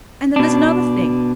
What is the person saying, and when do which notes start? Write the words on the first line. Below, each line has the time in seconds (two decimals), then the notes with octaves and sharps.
And then there's another thing.
0.36 B2 D4